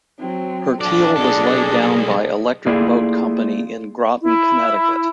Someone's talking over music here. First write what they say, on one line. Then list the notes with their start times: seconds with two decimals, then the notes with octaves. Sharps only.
Her keel was laid down by Electric Boat Company in Groton, Connecticut.
0.19 F#3 C4
0.81 F3 D4 A4 D5
1.16 B1 G#4 A4 D5
2.67 A3 A#3 E4 F4 G#4 D5
4.21 E4